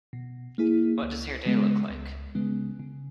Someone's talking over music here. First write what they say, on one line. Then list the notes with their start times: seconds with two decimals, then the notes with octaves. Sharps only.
What does your day look like?
0.13 B2
0.58 A#3 E4 G#4
1.02 C#2
1.46 C#3 G#3 B3
1.90 C#2
2.35 C#3 G#3 B3
2.79 C#3